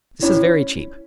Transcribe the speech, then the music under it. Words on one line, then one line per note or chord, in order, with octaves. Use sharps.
This is very cheap.
C#4 E4